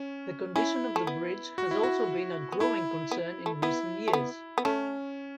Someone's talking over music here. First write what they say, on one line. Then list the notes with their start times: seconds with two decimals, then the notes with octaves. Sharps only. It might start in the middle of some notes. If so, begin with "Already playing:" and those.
The condition of the bridge has also been a growing concern in recent years.
Already playing: C#4
0.56 C#4 E4
0.96 A3
1.07 B3
1.58 F#4
1.71 E4
1.83 F#4
2.52 B3
2.60 A3 E4
3.11 B3
3.46 A3
3.62 B3 E4
4.08 A3
4.13 B3
4.58 B3
4.65 A3 C#4